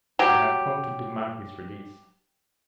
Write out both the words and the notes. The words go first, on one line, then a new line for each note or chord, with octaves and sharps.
"I have come to demand his release."
F#3 G4